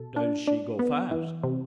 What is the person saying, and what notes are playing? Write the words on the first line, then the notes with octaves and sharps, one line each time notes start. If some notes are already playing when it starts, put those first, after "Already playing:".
"Does she go fast?"
Already playing: B2 A4
D4
D4
B3
E3
C3